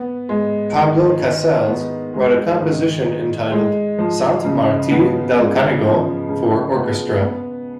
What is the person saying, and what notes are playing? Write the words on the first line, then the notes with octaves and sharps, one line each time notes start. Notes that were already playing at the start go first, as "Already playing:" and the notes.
Pablo Casals wrote a composition entitled "Sant Marti Del Canigo" for Orchestra.
Already playing: B3
G#3
D#3
D#4
B3
G#3
D#3
D#4
G#3
F3
C#3
B3
G#3
F3
C#3
B3
B3